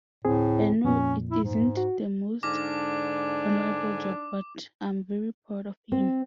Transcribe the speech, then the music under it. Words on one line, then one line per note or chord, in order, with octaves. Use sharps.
I know it isn't the most honourable job, but I'm very proud of him.
D2 A2 C4 G#4
F2 A#2 C#4
E4
G#2
F#4
G#2 D3 D4 D#4 G#5 D6 F6 A#6
C4